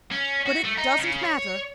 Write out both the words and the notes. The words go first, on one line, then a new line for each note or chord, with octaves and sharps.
But it doesn't matter.
C#4
F#4
A3
D#4
C#3
C#5